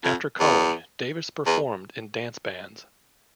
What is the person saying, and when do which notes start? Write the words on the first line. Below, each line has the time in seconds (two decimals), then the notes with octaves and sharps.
After college, Davis performed in dance bands.
0.04 F2
0.40 E2
1.46 E2